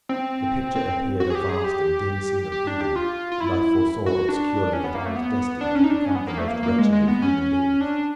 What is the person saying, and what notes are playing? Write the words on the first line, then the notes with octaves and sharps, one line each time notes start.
The picture appeared a vast and dim scene of evil, and I foresaw obscurely that I was destined to become the most wretched of human beings.
C4
C4
F#4
G#4
G4
G#4
G4
G4
D4
G4
F4
F4
E4
F#4
D4
C#4
B3
A#3
A3
B3
D4
C#4
D#4
D4
C#4
B3
A#3
A3
A#3
A#3
G#3
G#3
B3
C#4
D4